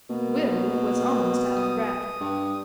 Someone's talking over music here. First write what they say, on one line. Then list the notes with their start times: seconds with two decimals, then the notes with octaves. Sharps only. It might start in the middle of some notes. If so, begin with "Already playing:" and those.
Will was almost out of breath.
0.10 B2 A#3
1.56 D#6
2.21 G2